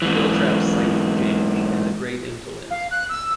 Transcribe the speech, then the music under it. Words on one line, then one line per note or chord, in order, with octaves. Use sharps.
Giltrap cites Jansch as a great influence.
G#2 E3
F5
F#6
E6